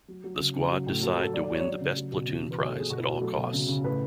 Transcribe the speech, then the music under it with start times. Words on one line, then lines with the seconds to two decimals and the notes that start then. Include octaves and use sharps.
The squad decide to win the best platoon prize at all costs.
0.08 F#3
0.24 F#3
0.39 C#3
0.55 C#3
0.71 F#3
0.87 A2
1.02 F#3 A4
1.13 A4
1.18 F#3
1.33 F#3 D5
1.44 D5
1.49 F#3 C#5
1.60 C#5
1.65 F#3 D5
1.81 C#3
1.97 F#3
2.12 B2
2.27 C#3
2.43 E3
2.51 B4
2.58 B2 C#5
2.69 A4
2.74 B2
2.80 G#4
2.90 B2 F#4
3.00 E4
3.06 B2
3.11 F#4
3.21 F#3 A4
3.37 B2
3.53 C#3
3.68 C#3
3.84 A2 B4